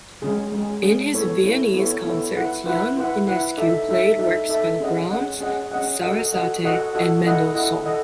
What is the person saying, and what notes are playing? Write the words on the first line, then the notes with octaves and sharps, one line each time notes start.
In his Viennese concerts young Enescu played works by Brahms, Sarasate and Mendelssohn.
G#3 C#4 G#4
G#3 C#4 G#4
G#3 C#4 G#4
B3 E4 A4 C#5
B3 E4 A4 C#5
B3 E4 A4 C#5
B3 E4 A4 C#5
E4 B4 F#5
E4 B4 F#5
E4 B4 F#5
E4 B4 F#5
D#4 A4 E5
D#4 A4 E5
D#4 A4 E5
D#4 A4 E5
C#4 G#4 D#5 F#5
C#4 G#4 D#5 F#5
C#4 G#4 D#5 F#5
C#4 G#4 D#5 F#5
F#4 A4 D#5 F#5
F#4 A4 D#5 F#5
F#4 A4 D#5 F#5
F#4 A4 D#5 F#5
E4 A4 D#5 F#5
E4 A4 D#5 F#5
A4 D#5 F#5